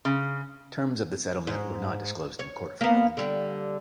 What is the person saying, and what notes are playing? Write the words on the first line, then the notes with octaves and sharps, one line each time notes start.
Terms of the settlement were not disclosed in court filings.
C#3
G#2
C#5
A#3 B3
D3 G3